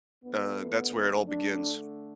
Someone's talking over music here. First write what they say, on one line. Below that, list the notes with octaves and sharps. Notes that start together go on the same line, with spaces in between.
uh, that's where it all begins.
D2 D3 A3 B3
D3 A3 D4